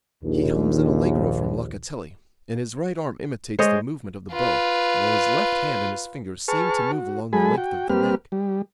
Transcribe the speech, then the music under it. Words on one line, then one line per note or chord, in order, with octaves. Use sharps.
He hums an allegro from Locatelli, and his right arm imitates the movement of the bow, while his left hand and his fingers seem to move along the length of the neck.
A#1 D#2
G#3 C5 C#5 D#5
F4 B4
G#4 B4 A5 C#6 F6
F#4
F#3 G#3 G#4 A4 G#5 B5
F#4 G5
G3 A#3 C4 G4 B4 F6
G3